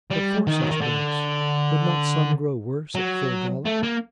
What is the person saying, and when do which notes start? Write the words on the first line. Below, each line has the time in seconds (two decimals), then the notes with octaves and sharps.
But for such breaks, would not some grow worse at full gallop?
0.11 G3
0.47 D#3
0.61 F#3
0.71 D#3
0.81 D3
2.95 F#3
3.66 A3
3.83 A#3